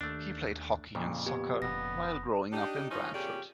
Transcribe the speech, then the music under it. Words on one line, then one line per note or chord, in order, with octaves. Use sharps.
He played hockey and soccer while growing up in Brantford.
D#2 A3 D4
F2 A#2 C#3 F3
B3 G4
F1 B3 A#6
D4 D#4 G4
E3 F3 A#3 C#4 D#4
F2 A#2 C#3 C#4 G4 D5